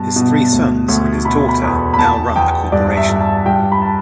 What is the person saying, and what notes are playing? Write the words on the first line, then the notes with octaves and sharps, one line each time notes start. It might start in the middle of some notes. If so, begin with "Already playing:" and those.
His three sons and his daughter now run the corporation.
Already playing: G2 B2 A5
B2
D2
D2
B2 B5
B5
E2
B5
E2 A5
E2 G5
G2 D5
E5
G2
A5
G2 G5
B5
A5